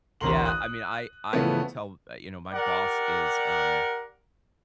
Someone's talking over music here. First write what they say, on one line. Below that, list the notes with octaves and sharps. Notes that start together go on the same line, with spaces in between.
Yeah, I mean, I I will tell uh, you know, my boss is, um,
A1 D2 A#4 A#5 C6 F#7
D#6 F#6
C#3 E3 F3 A3 B3
G4 A#4 D5 F#5